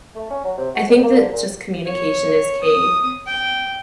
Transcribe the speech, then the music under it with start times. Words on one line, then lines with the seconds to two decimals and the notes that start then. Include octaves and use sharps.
I think that just communication is key.
0.15 A3
0.30 C#4
0.44 F#3
0.58 C3
0.75 F#4
0.88 F2
1.03 A#3
1.16 D3
1.32 A#2
1.86 C#5
2.63 D#6
3.26 G5